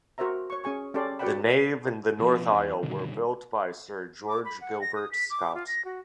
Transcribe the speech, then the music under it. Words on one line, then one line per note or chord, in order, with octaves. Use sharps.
The nave and the north aisle were built by Sir George Gilbert Scott.
F#4 A#4 C5 E5 A#5
C#5 C#6
C#4 G#4 G#5 C#6
C#4 G4 A4 D5 C6
F#4 B4 D5 F#5 G5 B5
B2 F3
E2
G2 B2 D3 D#3
D6
B5
F#5
A#6
D#6
B6
D6
F4
A#6
F#4